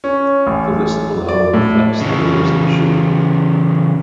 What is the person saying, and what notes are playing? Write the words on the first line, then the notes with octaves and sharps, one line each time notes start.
The list below reflects the latest issue.
C#4
A1
D5
A2
C#3 E3